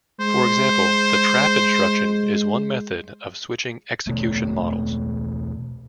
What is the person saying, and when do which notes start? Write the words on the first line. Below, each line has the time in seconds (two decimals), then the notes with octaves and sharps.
For example, the trap instruction is one method of switching execution models.
0.20 G#3 C5
4.07 E1 B2 A3